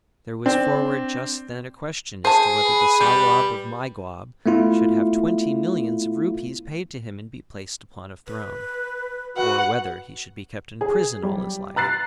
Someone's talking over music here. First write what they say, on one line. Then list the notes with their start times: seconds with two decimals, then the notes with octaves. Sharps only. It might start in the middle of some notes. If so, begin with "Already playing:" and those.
There was forward just then a question as to whether the Sawab of Mygawb should have twenty millions of rupees paid to him and be placed upon a throne, or whether he should be kept in prison all his life.
0.46 C4 D4
2.25 G#4 C5 A5
2.64 B4
3.00 G3 G4
4.46 A3 B3 E4 F4
8.28 B4
9.37 F#4 B4 F#5
10.81 G#4
11.23 G3
11.76 A#5 F#6 A6 C7